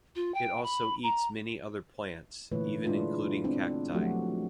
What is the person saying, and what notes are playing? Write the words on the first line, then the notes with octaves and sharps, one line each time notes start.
It also eats many other plants, even including cacti.
F4
G5
B5
A#5
A#2 D3 E3 A3 B4 C#5
G#3 D4 E4 F4
B3 C4 D4
F3 F#3 A3 F#4 G4